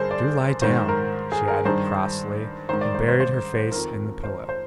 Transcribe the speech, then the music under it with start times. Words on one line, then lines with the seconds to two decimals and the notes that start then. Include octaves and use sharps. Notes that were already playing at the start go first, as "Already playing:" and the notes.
"Do lie down," she added crossly, and buried her face in the pillow.
Already playing: G2 D3 G#4 A#4 C5
0.11 D5
0.62 G#2 D#3 C5
0.89 A#4
1.32 G#4
1.48 A#4
1.65 G2 D#3 C5
2.69 G#2 D#3 C5
2.81 D5
2.95 C5
3.08 C5
3.20 C5
3.71 F2 D#3 A#4
4.24 C5
4.49 C5